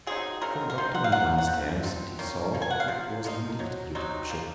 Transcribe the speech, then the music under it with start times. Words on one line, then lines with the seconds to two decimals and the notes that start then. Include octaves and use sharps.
So the Doctor went downstairs and he saw that it was indeed a beautiful ship.
0.07 C#3 F#3 C4 D#4 G#4
0.42 C#3 F#3 C4 D#4 A#4
0.70 A#4
0.78 D#3 A#3 D#4 C5
0.95 F#5
1.04 F5
1.12 D#3 A#3 D#4 F#5
1.38 F#5
1.47 F3 C4
1.83 F3 C4 D#4
2.19 D#3 A#3 C#4
2.53 D#3 A#3
2.62 G#5
2.71 F#5
2.80 F5
2.88 C3 F3
3.24 C3 F3 A#3 D#4
3.59 C3 F#3
3.95 C3 F#3 C4 D#4
4.29 F3 A#3